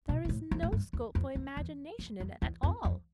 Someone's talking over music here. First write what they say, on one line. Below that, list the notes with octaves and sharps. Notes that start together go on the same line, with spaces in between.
There is no scope for imagination in it at all.
B2
B2
A2
F2
A2
G2
E2
F2
E2
E2
F2
F2
E2
F2
F2